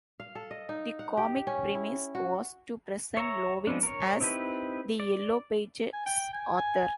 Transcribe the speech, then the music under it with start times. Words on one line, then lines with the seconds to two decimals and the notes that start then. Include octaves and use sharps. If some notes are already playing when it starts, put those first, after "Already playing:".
The comic premise was to present Lovitz as the Yellow Pages' author.
0.20 F5
0.35 A4
0.51 D#5
0.69 D#4
0.99 F#5
1.17 G4
1.47 C#4
1.75 E4
2.15 F#4
3.17 C#5 E5 A#5
3.67 F3 G#3 B3 C4 D4
3.83 A#4 C#5
4.20 C4 D#4 E4 G4 B4
5.00 D5
5.93 G#5
6.06 G5
6.33 G#5
6.57 G#5